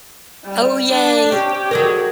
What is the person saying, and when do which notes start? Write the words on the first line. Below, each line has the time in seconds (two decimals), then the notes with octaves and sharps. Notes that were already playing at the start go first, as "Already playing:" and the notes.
Oh, yay.
0.45 G3
0.92 D4
1.32 C#4 G4
1.71 F#3 G#4 A#4